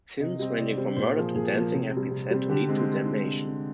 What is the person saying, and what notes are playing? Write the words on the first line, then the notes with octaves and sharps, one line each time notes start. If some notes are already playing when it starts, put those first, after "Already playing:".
"Sins" ranging from murder to dancing have been said to lead to damnation.
C3 D#5
G3 C4 D#5
C3 D5
G3 C4 C5
A#2 C5
F3 A#3 G#4
A#2 G#4
F3 A#3 G#4
C3
G3 C4
C3
G3 C4
D3 G4
G#3 C4